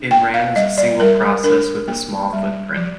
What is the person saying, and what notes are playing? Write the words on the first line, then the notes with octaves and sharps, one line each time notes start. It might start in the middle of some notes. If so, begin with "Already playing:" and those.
It ran as a single process with a small footprint.
Already playing: D4
A#3 G5
F5
G3 D#5
D5
G3 A#4
D4 A#4
A#3
G3
F3